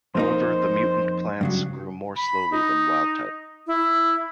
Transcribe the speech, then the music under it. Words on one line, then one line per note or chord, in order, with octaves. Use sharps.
However, the mutant plants grew more slowly than wild-type.
F2 A#3 D#4 C5
G2 C#3 F#3
B5
D#4
E4